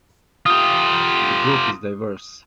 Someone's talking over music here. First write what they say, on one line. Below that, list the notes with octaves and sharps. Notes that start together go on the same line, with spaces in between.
The group is diverse.
F4 G4 D#6